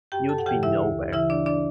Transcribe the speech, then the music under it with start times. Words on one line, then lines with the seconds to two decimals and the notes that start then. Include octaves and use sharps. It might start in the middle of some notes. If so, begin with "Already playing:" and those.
You’d be nowhere.
0.12 F#2 G4 G5
0.29 A4 A5
0.38 F#5
0.46 C#3 E3 G4 G5
0.63 E4 E5
0.80 D2
1.12 C#3 E3 E4 E5
1.30 D4 D5
1.46 D4 D5